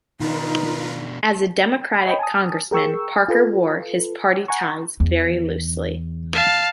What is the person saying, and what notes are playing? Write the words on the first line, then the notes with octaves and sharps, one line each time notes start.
As a Democratic congressman, Parker wore his party ties very loosely.
B2 D#3 D4 D#4 F4 A#4 B4
C#5 D#5 G5 B5
G#5 A5 D#6
G#4 A#4 G5 C#6 E6
F4 A4 B4
F#5 G#5 A#5 C#6
E2
F5 A5